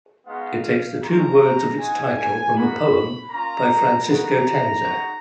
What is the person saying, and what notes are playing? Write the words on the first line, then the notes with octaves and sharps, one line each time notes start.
It takes the two words of its title from a poem by Francisco Tanzer.
G#3 B3 D#4 F#4 F5
G#3 C#4 F4 A#5
G#3 D#4 F#4 G#5
G#5
A#3 D#4 F#4 B5
A#3 C#4 F4 A#5
B3 D#4 F#4 A#5
G#3 D#4 F#4